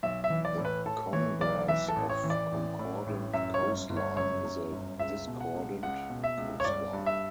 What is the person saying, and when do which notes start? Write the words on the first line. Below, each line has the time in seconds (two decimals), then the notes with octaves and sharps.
The converse of concordant coastline is a discordant coastline.
0.03 B1 E5
0.24 E5
0.30 E3
0.45 D5
0.58 A2
0.65 B4
0.86 A2 A4
1.13 E3 C#5
1.41 B1 D5
1.68 E3 E5
1.88 A4
1.96 A1
2.09 C#5
2.24 E3
2.30 D5
2.52 A1
2.79 A2
3.06 A1
3.33 F#2 E5
3.54 C#5
3.61 G1
3.89 G1
3.97 C#5
4.16 F#2 C#5
4.45 F#2
4.72 G1
4.99 C#2 E5
5.27 B2
5.41 F#5
5.54 C#2
5.83 C#2 F#5
6.10 B2
6.24 E5
6.37 C#2
6.60 C#5
6.65 G1 D5
6.93 G2
7.06 E5